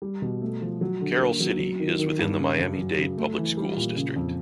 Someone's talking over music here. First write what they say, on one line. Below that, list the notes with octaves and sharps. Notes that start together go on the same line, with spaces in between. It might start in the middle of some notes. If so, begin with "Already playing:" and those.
Carol City is within the Miami-Dade Public Schools district.
G3
B2
A3
F3
F#3
D3
A#3
F#3
F#3
D#3
D#3
G2
C#3
F#2
F#3
C#3
A3
E3
G3
A#2
C#3
F2